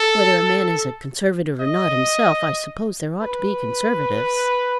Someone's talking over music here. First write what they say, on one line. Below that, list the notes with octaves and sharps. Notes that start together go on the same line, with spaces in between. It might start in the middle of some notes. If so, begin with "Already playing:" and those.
Whether a man is a Conservative or not himself, I suppose there ought to be Conservatives.
Already playing: A4
D#5
B4